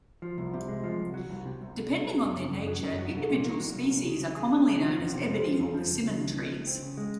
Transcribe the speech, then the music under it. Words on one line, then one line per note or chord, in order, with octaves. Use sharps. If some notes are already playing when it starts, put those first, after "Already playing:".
Depending on their nature, individual species are commonly known as ebony or persimmon trees.
F3
C2
C3
G#3
F3
C2
F#3
C2
C3
C2
F#3
C2
F#3
F#2
C#3
F#2
F#3
F#2
F#3
C2
A#2
A#3
F#3
C2
C#4
C#3
F#3
G#4
C#4
C#3
F3
F2
C3
C4
F3
F2
F3
C#2
C#3
C#2
F3
C#2
C4
C#3
G#3